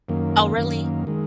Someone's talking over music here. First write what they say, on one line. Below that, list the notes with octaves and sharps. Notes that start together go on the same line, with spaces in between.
Oh, really?
F#2 D#3 A#3
F#2 D#3 A#3
D#3 G#3